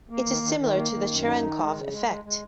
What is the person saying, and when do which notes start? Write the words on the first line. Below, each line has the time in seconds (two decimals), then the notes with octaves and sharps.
It is similar to the Cherenkov effect.
0.10 A#3
0.26 D#3
0.42 D#3
0.59 D#3
0.76 A#3
0.92 D#3
1.09 F#2
1.25 D#4
1.42 D#3
1.59 G#3
1.75 C#3
1.91 G#3
2.08 G#3
2.24 G#3